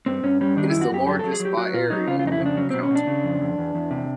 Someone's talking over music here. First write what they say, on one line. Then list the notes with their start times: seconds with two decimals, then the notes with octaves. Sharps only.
It is the largest by area in the county.
0.06 G2 C4
0.23 G2 C#4
0.41 G3 C#4
0.56 D#3 D4
0.70 F#2 E4
0.81 F#4
0.91 F#2 G4
1.07 F#3 G4
1.19 F#3 A4
1.33 G#4
1.40 F#3
1.45 G4
1.57 F#3 F#4
1.74 A#2 F4
1.90 F#3 D#4
2.07 C#3 F4
2.19 F4
2.24 F2 D#4
2.32 E4
2.40 C#3
2.45 D4
2.57 F#3 C#4
2.70 B2 C4
2.83 C#4
2.91 B2 D4
3.07 C#3
3.24 F2
3.41 F2
3.58 E2
3.75 E2
3.91 C3